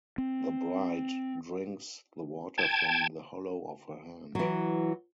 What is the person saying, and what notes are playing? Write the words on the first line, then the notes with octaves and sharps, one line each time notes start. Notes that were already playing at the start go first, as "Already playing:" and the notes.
The bride drinks the water from the hollow of her hand.
C4
G5 A5 G#6
E3 F#3